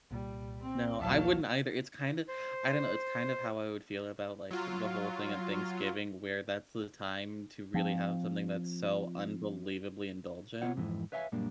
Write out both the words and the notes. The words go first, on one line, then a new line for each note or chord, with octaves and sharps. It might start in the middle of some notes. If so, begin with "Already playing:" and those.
No. I wouldn't either. It's kinda I don't know, it's kind of how I would feel about, like, the whole thing on Thanksgiving, where that's the time to really have something that's so unbelievably indulgent.
C2 A#2 G3
C4
A#1 D#2 F#3 F5 A5
C5
F#3 F4
F3 C4
B3 F4 C#5 F#5
F2 G#2 E3
B4 C#5 E5 F5 G5 G#5
F#2 A#2 G3 A#3 D4